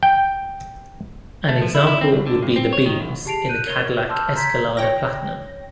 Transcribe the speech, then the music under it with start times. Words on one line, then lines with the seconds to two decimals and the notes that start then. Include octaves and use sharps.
An example would be the beams in the Cadillac Escalade Platinum.
0.03 G5
1.48 A3
1.62 F3
1.75 E4
1.87 E4
2.01 C4
2.13 C2
2.27 D3
2.43 G2
2.56 C4
2.73 C#5
2.86 D#3
3.00 C2
3.25 G4 G#4 A5 C7 D7 F7
3.48 F#6 G6 D#7
3.66 A#4 C#5 G#6 G7
3.85 C#6
4.09 A5 C6 D6 E6 F6 G6
4.36 A#5 C6 G6 G#6 B6
4.77 C#5 G5 A#6